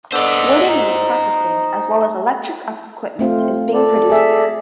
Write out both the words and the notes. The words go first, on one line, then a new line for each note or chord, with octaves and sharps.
Wood and meat processing as well as electric equipment is being produced there.
B3 D4 A4 C5 D#5
D#4
A3 C4 F4
A4 D5
G#4 E5